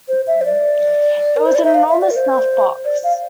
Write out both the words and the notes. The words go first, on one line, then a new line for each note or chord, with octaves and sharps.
It was an enormous snuff-box.
C5
E5
C5
D5
A#4
C5
D5
E5
F5
E5
D5
A#4
C5
D5
F5